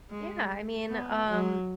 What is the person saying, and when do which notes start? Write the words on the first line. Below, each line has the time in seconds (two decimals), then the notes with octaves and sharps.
Yeah. I mean, um,
0.10 G#3
0.89 B3
1.28 F#3